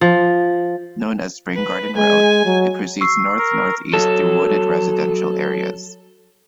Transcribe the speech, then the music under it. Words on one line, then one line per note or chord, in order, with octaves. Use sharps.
Known as Spring Garden Road, it proceeds north-northeast through wooded residential areas.
F3
B4
G#3 G#5
F#3
C#6 E6 C7
A#4
F#3 A4